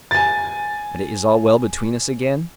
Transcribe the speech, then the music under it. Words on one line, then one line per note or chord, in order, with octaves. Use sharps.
"But it is all well between us again?"
G#5 A6